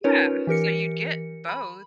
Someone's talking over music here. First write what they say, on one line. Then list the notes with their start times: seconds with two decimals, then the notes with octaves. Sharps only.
Yeah, so, you'd get both
0.04 C#4 D#4 F4 A#4 B4 C#5
0.47 E3 G4 A#4 C#7
1.49 B5